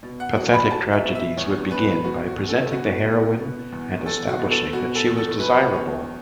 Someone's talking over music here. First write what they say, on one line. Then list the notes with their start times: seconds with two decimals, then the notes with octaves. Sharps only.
Pathetic tragedies would begin by presenting the heroine and establishing that she was desirable.
0.03 B2
0.20 F#5
0.37 F#3 F#5
0.53 B5
0.70 F#3 A5
0.93 E5
1.04 B2
1.15 E5
1.37 E2 C#5
1.71 B2 B4
2.04 E2 F#4
2.27 F#4
2.38 E2
2.49 A4
2.72 B2 F#4
3.05 B2
3.39 B2
3.72 E2
4.06 E2 A4
4.28 F#4
4.39 B2
4.51 A4
4.73 B2 F#4
4.95 A4
5.07 E2
5.17 A4
5.39 F#3 B4
5.73 E2 C#5